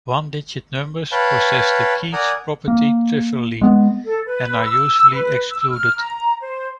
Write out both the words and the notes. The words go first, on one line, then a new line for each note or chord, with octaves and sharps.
One-digit numbers possess the Keith property trivially, and are usually excluded.
B4 C#5 F5 G5 A5 B5
A#4 D5 F#5 G#5 A#5 D#6
A#3
G#3 B3
A4
B4
E6
B4
E6
F6
A#5
C5